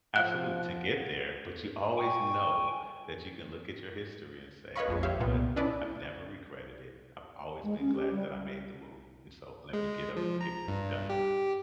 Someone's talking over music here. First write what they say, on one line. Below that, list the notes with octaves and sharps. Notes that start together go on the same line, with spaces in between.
Absolute to get there, but you always know that you can look at your history and say, "You know what, I've never regretted it, I've always been glad that I made the move, and so let me get up and get this done."
F3 F5 F#5 F#6
G5 G#5 C#6
B4 C#5 D#5 F5 B5 C#6
A#1 F2 G#3
G4 C#5 E5 F5
C2 A#2 B3
C#4 D4 E4 B4 D5 D#5
G#3
C#4
G4
G3
G#3
F3
A#5
G2
G4